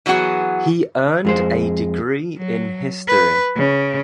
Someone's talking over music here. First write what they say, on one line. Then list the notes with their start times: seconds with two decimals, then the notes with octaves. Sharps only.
He earned a degree in History.
0.06 E3 F#3 B3 F#4 G#4
1.25 F2 G#3 C5
2.37 F#3
3.07 B4
3.56 C#3